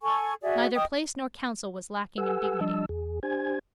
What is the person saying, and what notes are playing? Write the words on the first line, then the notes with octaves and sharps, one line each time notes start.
Neither place nor council was lacking in dignity.
A4 G#5 C#6
F#4 G#4 D5 E5
D#5 G5 D#6
G4 A4 B4 F#5 G#5 E6
F3 G3 D4 D#5 A5 E6
E2 G#4
D4 G4 C5 G#5 G#6